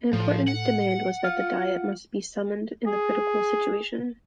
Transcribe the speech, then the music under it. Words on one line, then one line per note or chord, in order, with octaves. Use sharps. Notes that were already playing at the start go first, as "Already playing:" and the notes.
An important demand was that the diet must be summoned in the critical situation.
A2 F3
F#5
F4
G#4